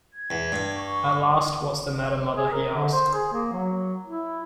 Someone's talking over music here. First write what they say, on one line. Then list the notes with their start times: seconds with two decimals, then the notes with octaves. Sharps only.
At last: “What’s the matter, mother?” he asked.
0.13 G#6
0.30 E2
0.52 G2
0.76 C#6
2.37 G#4
2.52 A#4
2.74 D3
2.92 C5
3.13 G#4
3.33 A#3
3.53 F#3
4.06 E4